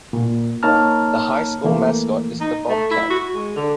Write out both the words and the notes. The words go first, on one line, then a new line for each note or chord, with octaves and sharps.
The high school mascot is the Bobcat.
A#2
A#3 D#4 C#5 A5 A#5 F6
E3 A3 A#3
D#4
A3
E4
F#4
G#3
D3